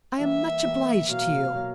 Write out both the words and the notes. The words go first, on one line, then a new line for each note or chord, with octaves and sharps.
I am much obliged to you.
E3 G3 A#3 E5
E3 G3 A#3
B2 F#3 A#3 F5
B2 F#3 A#3